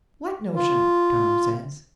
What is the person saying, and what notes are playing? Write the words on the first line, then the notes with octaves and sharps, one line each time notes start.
"What notion?" Tom says.
F4